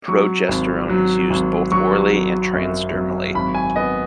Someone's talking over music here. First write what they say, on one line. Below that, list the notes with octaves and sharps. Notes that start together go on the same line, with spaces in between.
Progesterone is used both orally and transdermally.
F#3 C#6
G#1
F#3
G#1
F#3 C#6
F#3
F#2
F#3
G#1 B5
G#5
B3 D#5